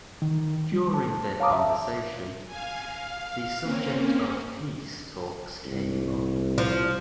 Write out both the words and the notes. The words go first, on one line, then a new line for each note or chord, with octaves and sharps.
During their conversation, the subject of peace talks came up.
D#3
G3
A5
C#5 F5 A5 A#5 D6 D#6
E5 A5
F5 G#5
F5
A#3 C4 C#4
C2
F3